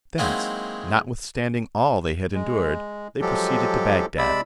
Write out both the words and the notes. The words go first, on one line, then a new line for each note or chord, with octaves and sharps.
Thence, notwithstanding all they had endured, they proceeded to Bagdad.
F#3 G#3 A#3 C4 D#4 E4
G#3
F3 F#3 G#3 G4 A4
C3 G#3 D5 B5 E6